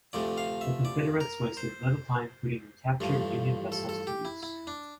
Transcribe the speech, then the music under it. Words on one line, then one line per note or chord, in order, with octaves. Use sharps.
The Confederates wasted little time putting the captured Union vessels to use.
D2 C3 F3 A3 D5
F5
E5
D5
A#4
C5
A1 G2 F3 A3
A4
A4
G4
E4
E4
D4